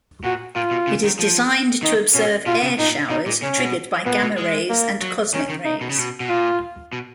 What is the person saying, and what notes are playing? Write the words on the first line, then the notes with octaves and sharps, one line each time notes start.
It is designed to observe air showers triggered by gamma rays and cosmic rays.
A#2 F#4
A#2 F4
B2
C#3
D#3
F3
D#3 D#4
B2 C#4
B2 F4
C#3
A#2 D#4
B2 D#4
A#2
C#3 C#4
B2
A#2 B3
B2
G#3
A#3
F#3
D#3 C#4
D#3
D#4
B2
C#3
B2
B2
A#2 F4
B2